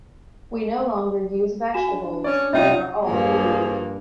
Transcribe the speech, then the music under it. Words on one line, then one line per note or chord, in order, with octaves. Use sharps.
We no longer use vegetables, they are all polluted.
F#4 G#5 E7
D4
C#4 C#5 D5
C2 C#4 D#4 F4 E5 G5
G2 F3 A#3 D4 G#4